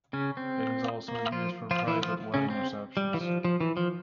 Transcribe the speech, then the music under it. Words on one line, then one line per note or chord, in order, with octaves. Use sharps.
It is also used for private wedding receptions.
C#3 C#4
C4
A#3
F3 F4
F3 F4
E3 E4
F3 F4
C#3 C#4
C4
G3
E3
F3
F3
E3
F3